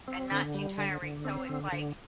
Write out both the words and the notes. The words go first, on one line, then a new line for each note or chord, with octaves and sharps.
and not too tiring. So It's, like,
C4
D3
G3
D3
D3
C4
D3
D3